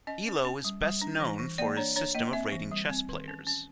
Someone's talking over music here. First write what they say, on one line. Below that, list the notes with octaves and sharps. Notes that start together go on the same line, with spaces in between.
Elo is best known for his system of rating chess players.
C#4 D#5
C#4
C#4
G3
G3
D4
E3
E3
A#3 D5
D4 C#5
D4 C#5
A#3 D#5
C4 E5
E3
G3
C4
D#3
C#4
C#4